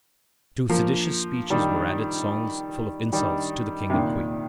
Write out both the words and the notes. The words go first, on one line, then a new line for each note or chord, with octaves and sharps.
To seditious speeches were added songs full of insults to the King and Queen.
F3 A#3
D#3 G3
D#3 G3
C3
A#2 D#3